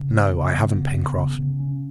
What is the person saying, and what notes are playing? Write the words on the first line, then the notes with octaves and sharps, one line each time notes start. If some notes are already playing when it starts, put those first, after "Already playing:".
"No, I haven't, Pencroft."
Already playing: C#3
B3
C#3
B3
C#3
B3
C#3
C#3
C#4